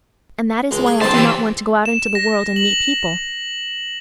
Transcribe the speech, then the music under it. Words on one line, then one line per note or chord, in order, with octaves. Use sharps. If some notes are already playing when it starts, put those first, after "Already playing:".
And that is why I do not want to go out into the world and meet people.
C#2 G#3
G#4
B1 C4 D4 C5 A5 C6
E3 G4 C5 E5
E7
A#6
F#7